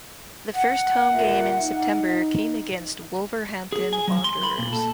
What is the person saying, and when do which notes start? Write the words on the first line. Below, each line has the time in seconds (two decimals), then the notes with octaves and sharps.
The first home game in September came against Wolverhampton Wanderers.
0.55 F#5
1.12 A#2 D3 E5
1.60 D#4
3.72 G#4
3.93 G#5
4.08 F#3
4.24 C6
4.43 B5
4.58 A#2
4.73 A4